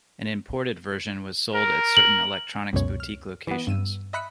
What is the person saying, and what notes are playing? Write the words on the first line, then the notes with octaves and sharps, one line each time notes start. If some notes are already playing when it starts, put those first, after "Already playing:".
An imported version was sold at certain Electronics Boutique locations.
A#4
F#7
C#2 F#2 B2 C#5
F6
E3 B3
G2 E6 D#7
D#5 E5 B5 F#6 B6 C#7